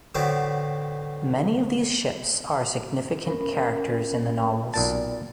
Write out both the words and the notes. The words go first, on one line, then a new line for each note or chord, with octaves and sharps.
Many of these ships are significant characters in the novels.
A2 D3 F#3 A3 B3 C4
C#4 A#4 B5
B1 A#2 D5 A5